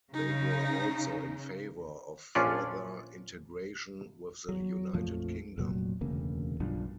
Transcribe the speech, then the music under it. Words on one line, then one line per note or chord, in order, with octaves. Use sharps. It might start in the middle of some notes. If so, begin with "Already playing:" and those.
They were also in favour of further integration with the United Kingdom.
C#3 D#4
A#1 C#4 D4 F4 D5
F#3
A#1 F2 F3 A3
F1 A#2 F#3
E1 D2 C#3 A#3
B1 G2 F3 D4